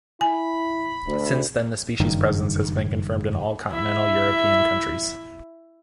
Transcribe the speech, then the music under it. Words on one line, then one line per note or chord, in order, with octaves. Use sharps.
Since then, the species' presence has been confirmed in all continental European countries.
E4 G#5 B5
D2
F#1 G2 D#3
E4 E5